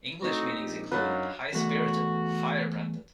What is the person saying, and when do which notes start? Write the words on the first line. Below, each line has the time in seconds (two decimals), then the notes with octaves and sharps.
English meanings include: high-spirited, firebranded.
0.22 A2 C4 D#4 F#4
0.61 A#1 G4
0.92 F#2 F#3 D4 D#4 B4 F5
1.53 E2 A3 F#4